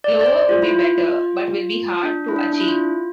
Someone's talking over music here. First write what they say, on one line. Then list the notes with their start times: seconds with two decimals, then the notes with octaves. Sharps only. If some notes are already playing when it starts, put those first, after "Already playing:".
Lower would be better but will be hard to achieve.
0.04 D5
0.21 D5
0.26 C5
0.49 F4
0.62 E4
0.71 F4
2.03 D4
2.28 E4
2.36 D4
2.53 D4
2.61 E4
2.68 F4